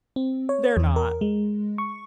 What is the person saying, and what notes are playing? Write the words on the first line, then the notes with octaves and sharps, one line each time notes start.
They're not.
C4
C#5
E2
A#4
G#3
C#6